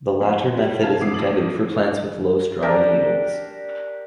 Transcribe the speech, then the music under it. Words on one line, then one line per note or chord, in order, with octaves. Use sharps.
The latter method is intended for plants with low straw yields.
F2 C6
G3 A3
C3 F5 A5 G#6
G#2 E3 E4 D6 D#6 C7
A#1 A6 F#7
D4 G4 A#4 A5